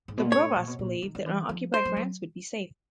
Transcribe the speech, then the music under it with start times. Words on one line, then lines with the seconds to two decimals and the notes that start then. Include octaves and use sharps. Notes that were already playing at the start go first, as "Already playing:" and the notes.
The Provosts believed that unoccupied France would be safe.
0.08 G#2
0.17 B2
0.25 A#2
0.32 A2 C#5
0.56 A#2
0.67 B2
0.79 A#2
1.02 D#3
1.15 D#3
1.26 E3
1.49 F3
1.74 C5
1.85 F#3
1.97 F#3